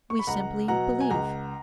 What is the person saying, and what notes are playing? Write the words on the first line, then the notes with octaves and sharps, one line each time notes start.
We simply believe.'
C#6
B5
C#2 F#5 A#5
B2 F#3 F#5 A#5
G#5
C#2 F#5 A#5